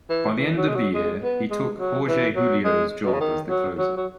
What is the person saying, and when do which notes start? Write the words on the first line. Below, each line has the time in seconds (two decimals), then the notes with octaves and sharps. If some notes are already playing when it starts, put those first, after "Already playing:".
By the end of the year, he took Jorge Julio's job as the closer.
0.09 E3
0.37 E3
0.56 F#3
0.68 G#3
0.75 F#3
0.94 G#3
1.23 B3
1.50 G#3
1.79 F#3
2.08 E3
2.36 F#3
2.64 G#3
3.04 B2
3.13 C#3
3.20 D#3
3.49 F#3
3.78 F#3
3.97 F#3